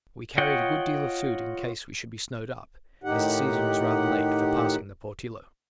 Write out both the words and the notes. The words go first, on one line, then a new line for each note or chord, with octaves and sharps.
We carried a good deal of food in case we should be snowed up, as the season was rather late for passing the Portillo.
F4 C#5 D#5 F#5 G5
A2 D#3 D#4 G4 F#5